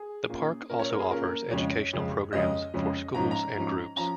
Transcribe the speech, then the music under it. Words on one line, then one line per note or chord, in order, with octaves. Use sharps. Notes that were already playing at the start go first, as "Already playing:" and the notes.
The park also offers educational programs for schools and groups.
Already playing: G#4
A#2 A#3 C#4
A#2 A#3 C#4 A#4
C#5
A#4
G#4
A#2 A#3 C#4 A#4
F2 C#3 G#3 C#4 C#5
F2 C#3 G#3 C#4
F2 C#3 G#3 C#4 D#5
F2 C#3 G#3 C#4
G#2 F3 C#4 A#5
A#5
G#2 F3 C#4
F3 C#4 A#5